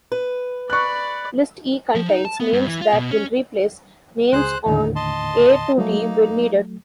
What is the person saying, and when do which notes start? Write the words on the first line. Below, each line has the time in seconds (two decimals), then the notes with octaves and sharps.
List E contains names that will replace names on A-D when needed.
0.12 B4
0.70 D5 B5 C#6 F#6
1.95 F3
2.09 D#4
2.25 A5
2.40 B3
2.53 G2
2.67 E3
2.81 F4
2.93 B2
3.11 C#4
4.33 C#2 G#4 C5 F#6
4.66 D#2 A2 D3 D#4
4.96 D#5 A5 C6
5.78 F#3 A3 A#3 D#4